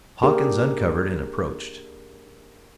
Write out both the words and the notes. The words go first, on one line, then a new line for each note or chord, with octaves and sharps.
Hawkins uncovered and approached.
A#3 D4 G4 G#4 A#4